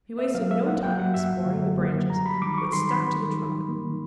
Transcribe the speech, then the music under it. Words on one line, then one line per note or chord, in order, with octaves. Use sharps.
He wasted no time exploring the branches, but stuck to the trunk.
A#3 E5
F#3 F5
A#3 E5
A#3 F#5
F#3 G5
F#3 F#5
F#2 E5
F#3
D3
F#3
A#3
F#3
G3 A#5
G3 B5
D#3 D6
G3 C#6
D#3 C6
D#3 B5
G3
D#3
D#3
D#3
A#3
D#3